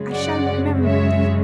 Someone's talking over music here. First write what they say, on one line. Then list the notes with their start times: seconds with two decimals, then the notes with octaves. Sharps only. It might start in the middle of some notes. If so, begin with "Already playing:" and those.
I shall remember this.
Already playing: F#2 C#3 G#3
0.13 D5 F#5
0.86 C#5 E5